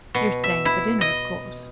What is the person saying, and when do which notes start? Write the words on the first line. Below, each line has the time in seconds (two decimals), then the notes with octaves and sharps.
"You're staying for dinner, of course?"
0.15 B2
0.44 E5
0.65 E4
1.01 D#5